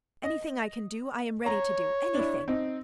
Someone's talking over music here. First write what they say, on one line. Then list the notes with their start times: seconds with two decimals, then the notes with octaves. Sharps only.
Anything I can do, I am ready to do anything!
0.24 D#5
1.46 C#5 A#5
2.14 D4 E4
2.48 C4 D#4